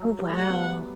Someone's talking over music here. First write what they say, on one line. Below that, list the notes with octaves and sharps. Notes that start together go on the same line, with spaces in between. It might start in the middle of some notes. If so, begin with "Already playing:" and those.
Oh, wow.
Already playing: F#3
G3
A3
G3 F#5
B3